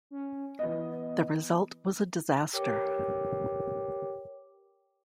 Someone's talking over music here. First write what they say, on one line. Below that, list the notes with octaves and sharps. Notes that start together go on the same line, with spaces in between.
The result was a disaster.
C#4
E3 B3 D#5
G4 A#4 B4 C#5 G5 D6